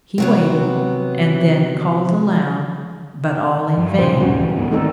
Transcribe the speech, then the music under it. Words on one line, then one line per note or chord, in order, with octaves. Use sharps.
He waited and then called aloud, but all in vain.
C3 F#3 B3
G2
G2 A#2 C#3 C5
D#1 G2 C#4 F#4
D2 E3
D2 G#2 B3
D#3 G3 A3 C4 D#4 A4